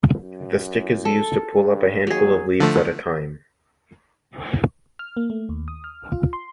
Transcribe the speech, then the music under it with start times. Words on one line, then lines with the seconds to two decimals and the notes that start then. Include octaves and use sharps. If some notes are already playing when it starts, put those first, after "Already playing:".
The stick is used to pull up a handful of leaves at a time.
0.21 F#2
1.05 A4
1.54 G2
2.07 D#2 F#3 G#4
2.60 D3 F3 A3
4.99 F6
5.17 A#3
5.30 A3
5.49 D#2
5.68 D#6
5.84 F6
6.12 F4
6.33 C6